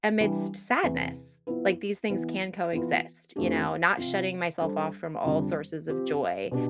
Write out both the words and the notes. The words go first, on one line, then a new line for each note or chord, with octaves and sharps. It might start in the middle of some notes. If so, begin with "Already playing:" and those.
amidst sadness. Like, these things can coexist, you know? Not shutting myself off from all sources of joy,
E3 G3 D4
E2 C3 E3
F3 B3 E4 B4
E3 B3 E4 B4
E3 B3 F4 B4
F2 E3 A3 D4 G4
C3 F3 C4 F4
G3 D4 A4 C5
F2 D3 G3 D4 G4
F3 C4 G4
B2 B3 D4 G4